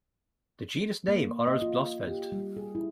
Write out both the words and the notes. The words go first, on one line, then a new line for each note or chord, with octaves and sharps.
The genus name honours Blossfeld.
A#3
D#5
F4
G4
G3
G#4
E4